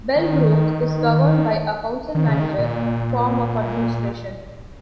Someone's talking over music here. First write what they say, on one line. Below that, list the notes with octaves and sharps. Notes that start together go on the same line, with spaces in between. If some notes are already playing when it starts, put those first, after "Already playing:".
Bellbrook is governed by a council-manager form of administration.
D#3
D#3
C#3
D#3
A#2